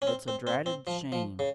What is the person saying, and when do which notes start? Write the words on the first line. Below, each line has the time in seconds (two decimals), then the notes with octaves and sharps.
It's a dratted shame!
0.02 C#4
0.07 C4
0.28 C4
0.47 C4
0.66 C4
0.87 F3
1.12 F3
1.39 C#3